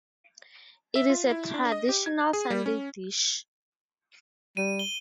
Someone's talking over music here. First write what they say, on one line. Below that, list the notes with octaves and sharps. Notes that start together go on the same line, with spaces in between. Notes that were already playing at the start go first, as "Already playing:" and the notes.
It is a traditional Sunday dish.
E5
F4
E4
D4
D#5
G4
G#6
G#4
G3
C#4
G3 D#7
G7